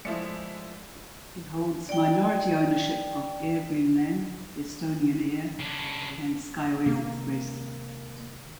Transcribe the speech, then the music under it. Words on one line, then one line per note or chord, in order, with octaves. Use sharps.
It holds minority ownership of Air Greenland, Estonian Air, and Skyways Express.
F3 G#3 A3 E4 D5 E5 C#7
D5 G5
C#3 D4
C3 D#3 G#3 A#3